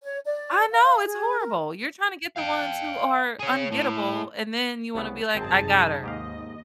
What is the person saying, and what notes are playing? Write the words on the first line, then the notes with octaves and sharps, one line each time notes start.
I know it's horrible, you're tryna get the ones who are ungettable and then you wanna be like, "I got her."
C#5
D5
F5
G#4
A#4
F5 G5
G#4 C#5
A2
C2 C#3 B3
G#1 F#2 C3 C4 D#4 G#4 G5 A5
D#2 G#2 G4 D#5 F5